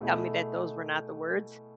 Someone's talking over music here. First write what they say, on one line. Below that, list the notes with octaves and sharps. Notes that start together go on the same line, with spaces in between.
tell me that those were not the words.
B2 A3 E4 G#4